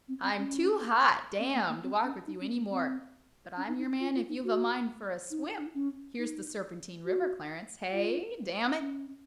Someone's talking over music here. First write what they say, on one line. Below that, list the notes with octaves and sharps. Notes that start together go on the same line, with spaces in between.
"I'm too hot, damme, to walk with you any more--but I'm your man if you've a mind for a swim--here's the Serpentine river, Clarence--hey? damn it!--hey?"
C4
C4
C#4
C4
A#3
A#3
C4
C#4
D#4
C#4
A#3
C4
C#4
D#4
D#4
C4
F4
F4
D#4
F#4
D#4
C#4
D#4
F#4
F4
C#4